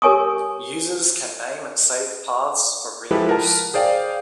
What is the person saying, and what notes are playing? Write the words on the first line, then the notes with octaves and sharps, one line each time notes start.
Users can name and save paths for reuse.
G4 A#4 C#5 G#5 C#6 D#6
F3 G#3 E4 G4 A4 B4
A#4 B4 F#5 A5
G#4 C5 D5 F5 G5